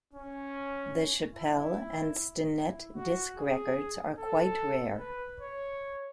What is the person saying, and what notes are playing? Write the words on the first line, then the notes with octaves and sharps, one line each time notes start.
The Chappelle and Stinnette disc records are quite rare.
C#4
E4
E4
F#4
G#4
A4
B4
C#5